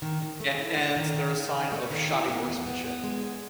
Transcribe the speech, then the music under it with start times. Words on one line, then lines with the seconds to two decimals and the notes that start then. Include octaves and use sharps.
A and they're a sign of shoddy workmanship,
0.02 D#3
0.22 D#3
0.40 A3
0.59 E4
0.77 A3
0.97 D#3
1.15 D#3
1.34 D#3
1.52 D#3
1.72 A3
1.91 D#3
2.09 E4
2.28 B3
2.47 E2
2.66 B3
2.84 B3
3.04 G#3
3.21 E2